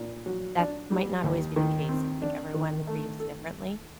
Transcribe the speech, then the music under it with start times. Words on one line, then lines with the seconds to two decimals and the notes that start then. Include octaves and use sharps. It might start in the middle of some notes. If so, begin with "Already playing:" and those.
th that might not always be the case. I think everyone grieves differently.
Already playing: A#2
0.26 F#3
0.58 D4
0.92 G3
1.24 D#2
1.56 D#3
1.89 C4
2.22 D4
2.54 D#3
2.87 A3
3.20 A4